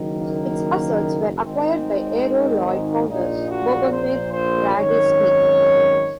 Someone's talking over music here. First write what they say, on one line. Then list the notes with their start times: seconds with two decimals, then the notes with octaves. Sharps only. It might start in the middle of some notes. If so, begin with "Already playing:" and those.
Its assets were acquired by Aero Lloyd founder, Bogomir Gradisnik.
Already playing: F#1 F#2 D#3
0.18 A#3
1.43 G#1 G#2 D#3 C4
3.09 A#1 A#2 D#4
3.50 F#4
3.91 C5
4.32 C5
4.74 G#1 F#2 D#3 C#5